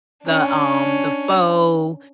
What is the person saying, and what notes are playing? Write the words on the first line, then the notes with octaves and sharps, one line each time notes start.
the, um the pho,
C#4 D4